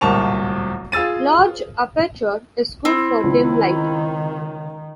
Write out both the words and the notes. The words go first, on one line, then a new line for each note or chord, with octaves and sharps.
Large aperture is good for dim light.
D1 C2 A#2 A5 C#6 F7
F4 G#4 E6 A6 D#7
C4 E4
C#2 D#3